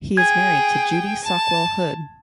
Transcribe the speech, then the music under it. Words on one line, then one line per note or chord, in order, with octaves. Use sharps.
He is married to Judy Sockwell Hood.
G#4 G5 G#6
A5